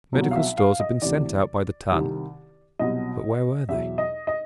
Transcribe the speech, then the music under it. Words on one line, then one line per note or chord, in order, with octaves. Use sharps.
"Medical stores had been sent out by the ton." But where were they?
C2 B2 F#3
F5
E5
F5
D#5
D2 C3 E3 D5
C2 C3 D#3
C2 B2 F#3 D#5
E2 B2 F#3 E5
D#5
D#5